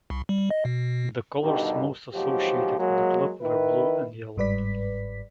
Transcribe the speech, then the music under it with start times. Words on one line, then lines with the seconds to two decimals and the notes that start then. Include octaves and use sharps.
The colours most associated with the club were blue and yellow.
0.10 C2
0.29 G3
0.51 D#5
0.65 B2
1.42 G2 B2 D3 D#3 G3 D#4
2.14 D#2 G#2 B2 F3 F#3 G4
2.78 F#3 G#3 A#3
3.42 D#3 E4 B4
4.37 G1 G#2 G3 B4 D5 B6